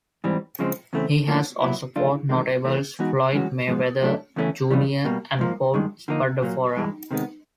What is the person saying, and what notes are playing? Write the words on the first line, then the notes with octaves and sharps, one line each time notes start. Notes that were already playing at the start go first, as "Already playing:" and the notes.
He has also fought notables Floyd Mayweather Junior and Paul Spadafora.
G#2 E3 G3 C4
C#3 F3 G#3 C4
E2 C#3 E3 A3 C4
A2 F3 A#3 C#4
A#2 F#3 B3 E4
D3 F3 A3 D4 F4
E2 C3 D#3 G#3
E3 A3 C4
E3 G#3 B3 D#4 F#4
G2 E3 G#3 C#4 F#4
G#2 F3 G#3 B3
A2 F#3 A3 D4
E2 C#3 E3 A3 C#4
F2 C#3 E3 G3
B2 G3 A#3
G#2 F3 A#3
G2 D#3 G#3
D3 F3 A#3 D#4
A#2 F#3 A#3
G2 E3 G#3
C3 D#3 G#3 B3